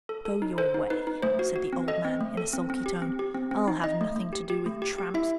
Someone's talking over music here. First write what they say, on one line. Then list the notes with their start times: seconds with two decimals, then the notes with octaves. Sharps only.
'Go your way,' said the old man in a sulky tone, 'I'll have nothing to do with tramps.
0.09 A4
0.25 A4
0.42 D#4
0.58 A4 C5
0.74 D#4
0.90 D#4 B4
1.07 D#4
1.22 A3 C5
1.39 F#4
1.56 F#4
1.73 C4
1.88 A4 D#5
2.05 C4
2.21 A3
2.37 A4
2.53 C4
2.70 C4
2.86 G4
3.02 C4
3.19 G4
3.35 C4
3.51 C4
3.68 D#4
3.84 D#4 D#5
4.01 A3
4.16 A3
4.33 G4
4.50 G4
4.66 A3
4.82 G4
4.98 G4
5.14 E4 E5